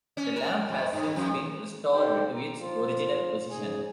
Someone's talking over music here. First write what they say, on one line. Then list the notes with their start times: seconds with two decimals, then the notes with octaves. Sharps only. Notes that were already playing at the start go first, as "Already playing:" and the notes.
The lamp has since been restored to its original position.
0.17 C#4
0.36 A#4
0.69 F2
0.93 G2
1.16 F2
1.93 D#3 D#4 G4 A4 C5 G5
2.35 A#5
2.60 F3 F4
3.51 G#2 C#3 G#4 G#5